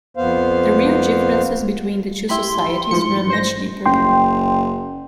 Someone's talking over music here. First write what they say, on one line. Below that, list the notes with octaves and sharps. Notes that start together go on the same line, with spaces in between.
The real differences between the two societies ran much deeper.
F2 B3 C5 F5
E4 G4 B5 C6
G#2 E3 F3 C#7
C5 A#6
F#1 G5 C6